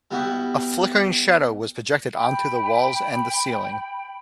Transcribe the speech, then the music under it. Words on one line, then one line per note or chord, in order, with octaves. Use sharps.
A flickering shadow was projected onto the walls and the ceiling.
G3 B3 E4 F#4 G4
G5 B5